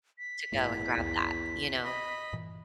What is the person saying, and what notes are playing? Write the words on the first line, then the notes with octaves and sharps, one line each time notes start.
To go and grab that, you know?
B6
A1 E2 G2 A3
C2 F2
D#5 B5
G2 A#2 E3